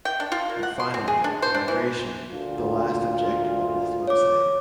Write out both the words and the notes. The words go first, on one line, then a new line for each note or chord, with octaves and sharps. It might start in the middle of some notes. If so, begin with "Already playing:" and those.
And finally, the migration, the last objective of this website.
G5
D4
F4
A#3
F#5
C6
C4
G#4
D4
C5
D4
E3
D2 A#2 F4
C#5 D6